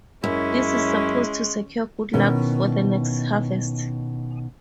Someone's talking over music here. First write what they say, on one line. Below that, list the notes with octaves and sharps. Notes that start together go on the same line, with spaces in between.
This is supposed to secure good luck for the next harvest.
F#2 G#3 C#4 E4
B2 D#3 C#4 E4 A#4